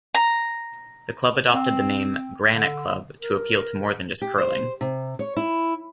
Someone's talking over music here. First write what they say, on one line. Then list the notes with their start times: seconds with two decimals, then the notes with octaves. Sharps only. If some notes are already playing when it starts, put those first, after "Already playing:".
The club adopted the name "Granite Club" to appeal to more than just curling.
0.15 A#5
1.52 C4
2.54 D3
3.21 A#4
4.22 G4
4.38 C5
4.81 C3
5.19 C#5
5.36 E4